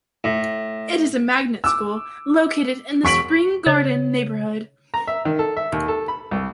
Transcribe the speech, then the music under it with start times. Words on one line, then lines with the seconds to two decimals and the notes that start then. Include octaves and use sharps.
It is a magnet school, located in the Spring Garden neighborhood.
0.24 A2
1.64 D6 E6
3.03 E1 C#6 B6 D7 F#7
3.66 C#3 C#5
4.94 A#5
5.07 E5
5.25 D#3
5.39 A4
5.57 E5
5.72 D#2
5.88 A4
6.08 B5
6.31 C2